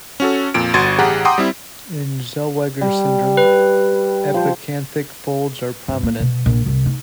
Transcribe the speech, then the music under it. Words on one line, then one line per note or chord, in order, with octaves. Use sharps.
In Zellweger syndrome, epicanthic folds are prominent.
C#4 F#4 A4
F2 A#2 D7
G1 F#4 C6 G#6 A6 D#7
A1 G4 G#4 F#5 A#5
F#5 G5 A#5 C6 D6 D#6
G3 C4 E4
G3
B4
F3 C5
G2
A#3
B2
A#1
C2
D#4